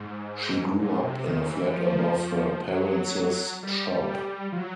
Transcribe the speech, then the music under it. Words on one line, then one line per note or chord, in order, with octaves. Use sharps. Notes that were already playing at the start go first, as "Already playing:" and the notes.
She grew up in a flat above her parents' shop.
Already playing: G#2
A#2
C3
D#3
E3
F3
F#3
G3
F3
F#3